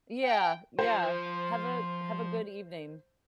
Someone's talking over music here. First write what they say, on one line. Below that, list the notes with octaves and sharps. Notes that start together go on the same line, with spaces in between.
Yeah, yeah. Have a have a good evening.
G5
F3 C5 C6